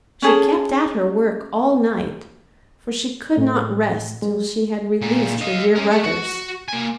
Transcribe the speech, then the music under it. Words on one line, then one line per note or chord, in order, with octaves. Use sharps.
She kept at her work all night, for she could not rest till she had released her dear brothers.
C#4 G#4 A4
A2
G#3
A#2 D3
D#5 F5
C#4 A#4
A3
F#4
A#3 G#5